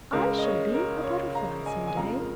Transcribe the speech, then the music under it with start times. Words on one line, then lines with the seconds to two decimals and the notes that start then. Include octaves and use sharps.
"I shall be a Butterfly some day!"
0.13 C#2 C#3 G#3 A#4
0.38 D#5
0.43 C#5
0.74 A#4
1.04 C#5
1.35 F5 A#5
1.66 D#5 G#5
1.87 G#5
1.96 F2 C#3 F3 G#3 F5 A#5
2.20 A#4